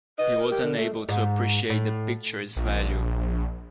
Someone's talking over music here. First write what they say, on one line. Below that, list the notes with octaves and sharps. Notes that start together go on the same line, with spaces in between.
He wasn't able to appreciate the picture’s value.
B4 D#5
A#4
G4
D3
A3
G#2
A2
A#1